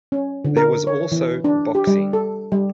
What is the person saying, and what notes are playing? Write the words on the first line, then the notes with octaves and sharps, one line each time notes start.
There was also boxing.
C#4
D3
A#4
C#5
E3
D4
G4
G3
A4
G3